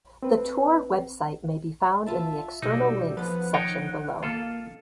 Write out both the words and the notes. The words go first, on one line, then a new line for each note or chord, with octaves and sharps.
The tour website may be found in the external links section below.
C4 B4
F4 E5 A5
B2 F#3 G3 D#4 E6
F3 B3 B4 F#5
D#3 D#4 C#5 G5
A#3 F4 A4 F5